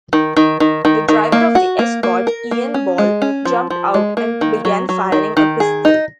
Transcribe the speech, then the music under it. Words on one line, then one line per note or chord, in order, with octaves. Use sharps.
The driver of the Escort, Ian Ball, jumped out and began firing a pistol.
D#3
D#3
D#3
D#3
D#3
A#3
F#4
A#3
A#3
A#4
A#3
C#4
G#3
C#4
F3
F3
G#3
A#3
D#3
F#3
F#3
D#3
D#3
G#4
D#4